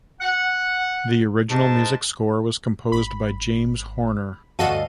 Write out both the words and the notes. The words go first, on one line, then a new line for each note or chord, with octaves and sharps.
The original music score was composed by James Horner.
F#5
G#2 A5
G#1 B5
D2 G2 F#4 A4 D#5 F5 D#7